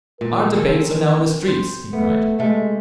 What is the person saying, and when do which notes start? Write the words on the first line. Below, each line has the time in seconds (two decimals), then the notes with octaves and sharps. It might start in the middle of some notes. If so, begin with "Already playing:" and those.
"Our debates are now in the streets," he cried.
0.21 A#2 A#4
0.54 C4 C#4 A4
1.48 C5
1.93 A3 B3
2.39 C3 G#3 A3